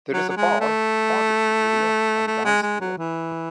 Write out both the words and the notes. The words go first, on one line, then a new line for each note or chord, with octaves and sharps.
There is a bar, barbecue area and dance floor.
F#3
F#3
G#3
A3
A3
G#3
G#3
F#3
E3